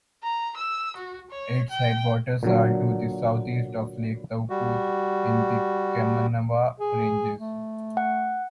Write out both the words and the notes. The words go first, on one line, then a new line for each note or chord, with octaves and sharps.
Its headwaters are to the southeast of Lake Taupo in the Kaimanawa Ranges.
A#5
E6
F#4
C#5
G5
A#2 D3 F#3
G3 F#4
G#4
A3
F#5